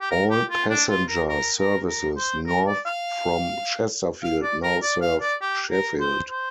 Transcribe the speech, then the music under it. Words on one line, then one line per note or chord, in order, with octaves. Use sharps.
All passenger services north from Chesterfield now serve Sheffield.
G4
A#4
G4
F4
D4
F4
A#4
A#4
A#4
A#4
C5
A#4
D5
F5
F5
D5
A#4
D5
F5
D5
G4
A#4
C5
C5